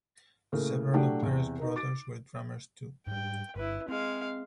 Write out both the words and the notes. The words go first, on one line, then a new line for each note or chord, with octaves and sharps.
Several of Vera's brothers were drummers too.
A2 C#3 A#3
A2 F#3 A3 D4 G4
E2 C3
D#4 A#4
D6 A6 D7
G#2 G3 G5
G1 E4 B4
G#3 C4 F5